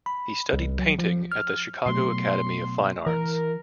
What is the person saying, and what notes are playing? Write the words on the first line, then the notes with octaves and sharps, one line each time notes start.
He studied painting at the Chicago Academy of Fine Arts.
B5
C2
F#3
F3
F6
B2 F#3 A3 C6
E3 A#4